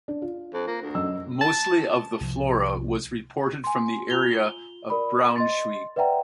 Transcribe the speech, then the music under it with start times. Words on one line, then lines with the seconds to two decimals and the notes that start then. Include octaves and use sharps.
Mostly of the flora was reported from the area of Braunschweig.
0.08 D4
0.22 F4
0.54 F2
0.67 A#3
0.82 D2
0.95 F#2 D#5 E6
1.41 A5
2.21 C2 F3
3.64 G#5 C6
4.10 F4 F7 G7
4.90 A#4 D5 B5
5.36 D#5 C6 A6
5.96 B4 D5 E5 F#5 G5 A#5